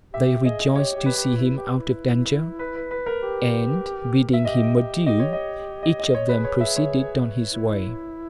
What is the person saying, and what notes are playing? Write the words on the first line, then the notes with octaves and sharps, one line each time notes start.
They rejoiced to see him out of danger; and bidding him adieu, each of them proceeded on his way.
G4 E5
G#4 D#5
G4 C#5
G4
B4
G4
E4
G4
E4
B4
B4
B4
A#4
G4
E5
G4 D#5
G4
G4 D#5
C#5
D#5
D#5
D#5
C#5
G#4 B4
C#5
E5
C#5
E4